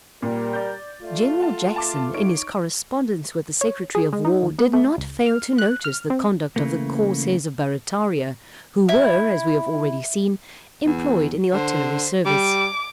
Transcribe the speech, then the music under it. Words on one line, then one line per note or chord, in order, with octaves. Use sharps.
General Jackson, in his correspondence with the secretary of war did not fail to notice the conduct of the "Corsairs of Barrataria," who were, as we have already seen, employed in the artillery service.
A#2 G3 A#4
D5 G6
A3 F4
F#5 A5
A5 D6
D#4 C#5 D7
C#5
G#4
G#3
D#4
D#2
B3
A3
C#2
F6
F#6
F6
C4
C#3 E3 A3 A#3
E4
E2
D3 C5
G3 D6